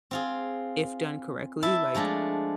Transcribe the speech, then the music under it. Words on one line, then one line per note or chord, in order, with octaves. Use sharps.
if done correctly, like,
C4 F4 G#4
E4 E5 A5
F3 G#3 A3 D4